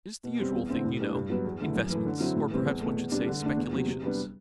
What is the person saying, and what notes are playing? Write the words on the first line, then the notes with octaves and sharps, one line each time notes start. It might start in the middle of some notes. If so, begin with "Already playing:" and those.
It is the usual thing, you know--investments, or perhaps one should say speculations.
B2
G3 C4
E2
D3 A3 C4 E4
A2
G3 B3 D4
G2
F#3 B3
E2
D3 A3 E4
F#2
E3 A3
D3
F#3 C4 E4
A2
E3 G3 C4
E2
B2 A3
E2
C3 G3 D4
D3
A3 D4
E2
C3 F#3
C3
G3 B3 D4